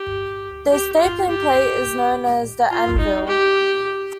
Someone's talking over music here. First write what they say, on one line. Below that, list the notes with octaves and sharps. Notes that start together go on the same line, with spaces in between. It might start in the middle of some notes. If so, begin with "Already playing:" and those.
The stapling plate is known as the anvil.
Already playing: G4
G4
F4
G4
F4
D#4
G4